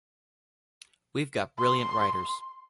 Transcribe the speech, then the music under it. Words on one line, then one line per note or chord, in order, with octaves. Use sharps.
We've got brilliant writers.
C6